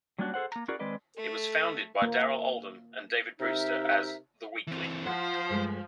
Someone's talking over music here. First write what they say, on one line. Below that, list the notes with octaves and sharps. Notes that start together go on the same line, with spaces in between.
It was founded by Darrell Oldham and David Brewster as "The Weekly".
F#3 G3 A#3 C#4 D4 F#4
G#4 A4 C5 F#5
A#3 A#5
C#4 E4 F#4 G#4 A#4 D5
D#3 G#3 C4 B4 D5 D#5
A3 A4
A#3
C3 D#4 A#4 E5
E3 C4
F3 C5 F#5
G2 G#3 A3